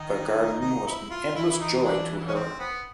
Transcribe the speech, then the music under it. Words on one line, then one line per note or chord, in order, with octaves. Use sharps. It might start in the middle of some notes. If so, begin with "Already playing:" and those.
The garden was an endless joy to her.
Already playing: D#3 D#4
D#4
E4
F4
E3 E4
E4
D#4
D4
C#4
C4
B3